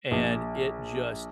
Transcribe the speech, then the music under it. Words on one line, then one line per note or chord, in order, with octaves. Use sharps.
and it just
A#1